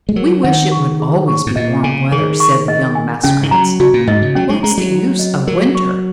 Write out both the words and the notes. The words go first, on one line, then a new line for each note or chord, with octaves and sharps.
"We wish it would always be warm weather," said the young Muskrats. "What's the use of winter?"
G#3
F#3 A#4
D#3 F#5
C#6
G#4
C#6
G#2
A#2 D#5
C#3 G#5
D#3 G#4
C#6
D#5
G#5
C#3 C#4
D#3
F#3 A#5
C#3 F#4
A#2
G#2 D#5
C#3
F#3 C#4
G#3
G#3 A#5
F#3
F#4
D#5
F#3 A#4
C#6